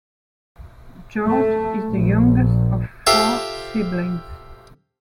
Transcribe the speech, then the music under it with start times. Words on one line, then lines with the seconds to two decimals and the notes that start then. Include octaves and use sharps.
George is the youngest of four siblings.
1.29 A3
1.91 A#1
3.07 F4 G4 A4 C5 E5